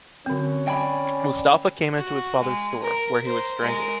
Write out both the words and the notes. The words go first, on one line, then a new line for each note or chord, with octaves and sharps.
Mustafa came into his father’s store, where he was strangled.
D3 F#3 C4 C#4
D5 G5 G#5 B5
F#4
G#3
A#4
A#4 C5
G#3 A#4